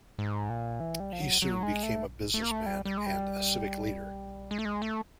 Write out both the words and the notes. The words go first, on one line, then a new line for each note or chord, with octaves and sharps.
He soon became a businessman and a civic leader.
G#2
A#2
E3
G3
F3
F#3
F#3
G#3
A3
A3
A#3
A3
G3
G3
G#3
G3
G#3
A3
G#3
A3